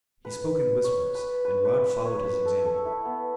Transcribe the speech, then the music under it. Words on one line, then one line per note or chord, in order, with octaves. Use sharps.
He spoke in whispers, and Rod followed his example.
B4
C#5
B4
B4
B4
B4
C#5
B4
A4
A4
E4
B3